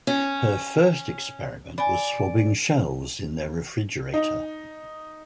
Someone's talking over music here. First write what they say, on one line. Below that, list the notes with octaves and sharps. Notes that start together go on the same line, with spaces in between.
Her first experiment was swabbing shelves in their refrigerator.
C#4
D5 G#5 B5
D#4